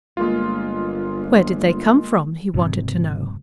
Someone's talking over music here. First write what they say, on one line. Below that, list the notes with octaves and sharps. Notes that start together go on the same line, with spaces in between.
"Where did they come from?" he wanted to know.
G1 G#3 A#3 F4
F#1 G#2 C3 F#3